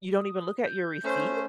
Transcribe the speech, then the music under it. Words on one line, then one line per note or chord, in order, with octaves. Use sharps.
you don't even look at your receipts?
D#6
G6
A3 C#4 C5